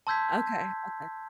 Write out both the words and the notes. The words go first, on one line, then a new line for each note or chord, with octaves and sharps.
Okay, okay.
A5 C6 E6 G6 G#6 B6